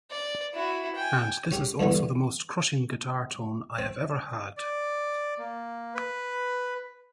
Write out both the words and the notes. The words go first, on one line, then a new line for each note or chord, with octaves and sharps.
And this is also the most crushing guitar tone I have ever had.
D5
E4 F#4
G5 G#5
C#4 G4 G#4
G2 D3 E3 A3 B3
C4
D5
A#3
B4